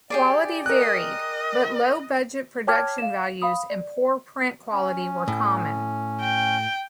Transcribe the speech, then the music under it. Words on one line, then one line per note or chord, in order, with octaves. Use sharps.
Quality varied, but low budget production values and poor print quality were common.
G4 G#4 D5
A#4 D#5 F#6
C#5 G5 A5 D6 F6 G#6
F5 E7
F5 B5 D#6
D5
C#4
A2
G5